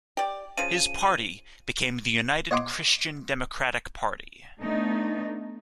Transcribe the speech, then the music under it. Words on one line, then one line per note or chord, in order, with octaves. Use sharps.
His party became the United Christian Democratic Party.
G4 D5
C#3 F3 D#7
C#5 D#5 F#5 C6 D6
A3 B3 D4 D#4